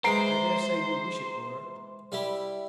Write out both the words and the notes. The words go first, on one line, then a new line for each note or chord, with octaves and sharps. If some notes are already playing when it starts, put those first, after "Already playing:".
"I dare say you wish it were."
E3 G#3 C5 A#5 C7 D7
G3 E4 G4